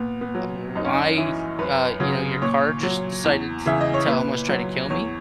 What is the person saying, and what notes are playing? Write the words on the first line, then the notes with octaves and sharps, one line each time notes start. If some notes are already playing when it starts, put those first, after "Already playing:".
uh, why, uh, you know, your car just decided t to almost try to kill me?"
Already playing: A#2 B3
B3
F#3
F#2 D#4
C#4
D#4
E3 E4
F#2 B4
C#3 F#3
A#2 C#5
F#3
E2
C#3 E3 E5
D#5
C#5
A#2 B4
F#3
E2 C#5